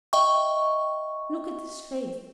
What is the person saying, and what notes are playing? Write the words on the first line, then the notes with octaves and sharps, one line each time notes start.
Look at his face.
D#5 E5 G5 C#6